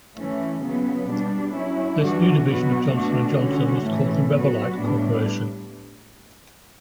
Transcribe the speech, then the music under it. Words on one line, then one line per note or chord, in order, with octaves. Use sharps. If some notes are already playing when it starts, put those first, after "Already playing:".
This new division of Johnson and Johnson was called the Revolite Corporation.
E3 A3 C#4
C#3 F#3 B3
B2 G3 D4
F#3 C#4 E4
E3 G3 D4 F#4
B2 F#3 B3 F#4
B2 A3 D4 F#4
D3 G3 C#4 F#4
A2 E3 A3 C#4
F#3 B3 F#4
A2 G3 B3 D4